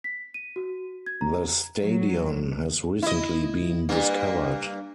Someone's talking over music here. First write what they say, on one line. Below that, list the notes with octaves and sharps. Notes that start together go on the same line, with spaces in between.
The stadion has recently been discovered.
B6
D#7
F#4
G#6
A#5
F#3
E4 D#5
G2 A#3